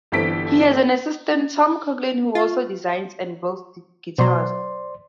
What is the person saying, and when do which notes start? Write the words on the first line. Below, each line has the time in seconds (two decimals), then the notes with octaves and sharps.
He has an assistant, Tom Coughlin, who also designs and builds guitars.
0.12 G1 E3 C4 A4 B6 D7
2.35 F4
4.18 B2 F#3 C5 D5 C6